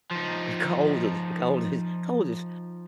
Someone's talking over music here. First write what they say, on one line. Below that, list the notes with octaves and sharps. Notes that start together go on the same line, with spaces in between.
And cold is cold is cold is
F3 D#4